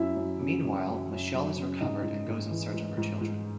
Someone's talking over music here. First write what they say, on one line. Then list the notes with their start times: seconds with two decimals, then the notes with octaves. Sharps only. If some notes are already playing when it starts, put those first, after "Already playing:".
Meanwhile Michelle has recovered and goes in search of her children.
Already playing: F#2 E4 E5
0.16 F#2
0.40 C#3
0.63 F#2
0.87 F#2
1.11 F#2
1.33 F#3
1.56 C#3
1.81 G#2 D#4 D#5
2.03 G#2
2.28 G#2
2.51 E3
2.74 G#2
2.97 G#2
3.21 G#2